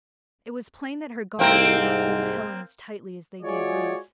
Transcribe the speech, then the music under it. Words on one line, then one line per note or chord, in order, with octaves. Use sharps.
It was plain that her guards did not hold Helen as tightly as they did Ruth.
C2 G#2 A#3 C4 A#4
G#3 F4 F#4 G#4 C#5 D5